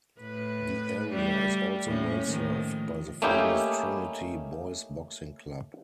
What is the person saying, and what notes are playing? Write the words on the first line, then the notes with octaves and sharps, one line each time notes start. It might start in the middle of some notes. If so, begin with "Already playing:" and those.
The area is also well served by the famous Trinity Boys Boxing Club.
A2 B4
G3 A3
A2 A#3 C#4
A2 D#3 F3
A3 A#3 C#4 D#4 E4 G4